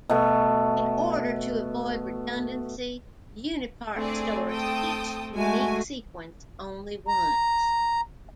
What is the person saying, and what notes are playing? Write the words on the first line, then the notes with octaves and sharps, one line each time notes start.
In order to avoid redundancy, UniParc stores each unique sequence only once.
B2 A3
A3 C4 D4 G#4 D5
G5 A5 D#6
G#3 A3 F#4 G#5
A#5